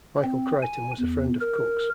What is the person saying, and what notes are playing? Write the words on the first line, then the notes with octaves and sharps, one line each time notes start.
Michael Crichton was a friend of Cook's.
C4
G#5
E2
A#4